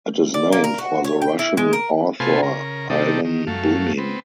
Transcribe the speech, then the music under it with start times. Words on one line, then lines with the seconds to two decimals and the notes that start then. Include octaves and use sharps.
It is named for the Russian author Ivan Bunin.
0.34 D5
0.52 A#3
0.64 A#4
0.78 F#4
1.04 C#5
1.22 G5
1.39 E4
1.57 G#3
1.73 A#4
2.20 C3 A3 B3 F4 G#5 C6
2.43 C#3 A#4
2.90 C3 D#3 G3 D4 D#4 A4
3.24 D#3
3.47 F#2 A3 F5
3.98 B3 C4